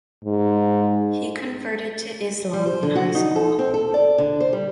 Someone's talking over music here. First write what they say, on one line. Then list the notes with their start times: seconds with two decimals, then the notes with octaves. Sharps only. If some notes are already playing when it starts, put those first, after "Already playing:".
He converted to Islam in high school.
0.25 G#2
2.53 G3
2.66 C5
2.83 D3
2.95 F#4
3.15 D#4
3.36 A4
3.59 C4
3.74 A4
3.94 D5
4.18 D3
4.40 C5
4.53 G3